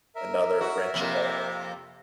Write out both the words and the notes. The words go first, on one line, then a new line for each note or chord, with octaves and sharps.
another wrench in there.
A#4 E5
F#4
F2 C3 A#3